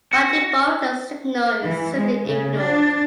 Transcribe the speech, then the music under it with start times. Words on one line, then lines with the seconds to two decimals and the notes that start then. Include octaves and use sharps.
By default the signal is simply ignored.
0.13 F#4
1.62 E3
1.97 G#3
2.28 C#3
2.59 D4